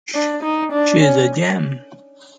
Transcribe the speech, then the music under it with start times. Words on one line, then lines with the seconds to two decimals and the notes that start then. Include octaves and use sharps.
She’s a gem.
0.14 D4
0.43 D#4
0.72 D4
1.01 C#4